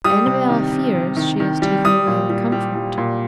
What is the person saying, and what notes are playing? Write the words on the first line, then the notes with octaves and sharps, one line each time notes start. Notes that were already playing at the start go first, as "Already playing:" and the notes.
"Annabel fears she has taken away your comfort."
G3 D#6
C3
D#3
C3
C3
D#3
D#3
G3
G3 D#6
A#2
G3
G3
G3
A#2